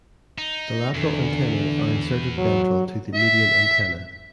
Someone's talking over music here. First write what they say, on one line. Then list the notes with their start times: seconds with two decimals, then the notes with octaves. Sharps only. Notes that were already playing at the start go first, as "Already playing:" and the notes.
The lateral antennae are inserted ventral to the median antenna.
0.38 D#4
0.95 E2 D3
2.38 F#3
3.14 E5